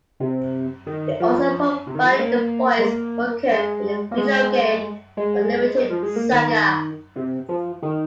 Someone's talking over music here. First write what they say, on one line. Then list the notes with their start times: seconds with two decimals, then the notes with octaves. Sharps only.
He also provided the voice for Kurt in the video game "Unlimited Saga".
0.20 C3
0.86 D#3
1.20 F3
1.87 C3
1.95 D#3
2.03 F3
2.12 G#3
2.19 A#3
2.78 G#3
2.85 A#3
3.51 G#3
4.11 A#3
4.18 G#3
5.17 G#3
5.90 F3
6.03 G#3
6.16 A#3
6.32 D#3
7.16 C3
7.49 F3
7.82 D#3